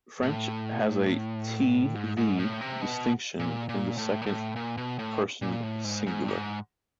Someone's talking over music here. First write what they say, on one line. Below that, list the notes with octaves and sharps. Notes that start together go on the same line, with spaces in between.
French has a T-V distinction in the second person singular.
A2
G#2
G#2
A2
C3
B2
A#2
A#2
A2
A#2
A2
A#2
B2
A2
A#2
A2
G#2
G#2
G2
G#2